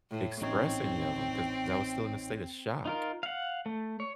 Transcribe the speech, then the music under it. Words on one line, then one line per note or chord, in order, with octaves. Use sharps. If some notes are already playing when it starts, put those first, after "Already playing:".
express any of them 'cause I was still in a state of shock.
A2
A1 C4 D#4 C#5
D#4 F4 A#4
F5 F#5
A3
C#5